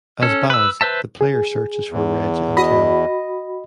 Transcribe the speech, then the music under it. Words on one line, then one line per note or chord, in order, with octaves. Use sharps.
As Baz, the player searches for Reg and Tel.
C#4 A4
B4 E6
B4 C5 E5 A5
G#4
E2
F#4 D#5 B5